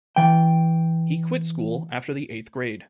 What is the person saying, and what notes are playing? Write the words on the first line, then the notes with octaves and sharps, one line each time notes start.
He quit school after the eighth grade.
E3 G5